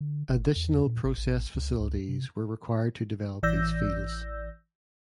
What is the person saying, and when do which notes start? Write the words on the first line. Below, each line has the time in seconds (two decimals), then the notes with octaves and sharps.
Additional process facilities were required to develop these fields.
0.01 D3
0.29 G1
0.56 E2
0.87 A#2
1.04 G#1
1.17 A1
1.55 C#2
1.80 C#2
2.08 C3
3.43 A1 E3 D5 E6 G6 A#6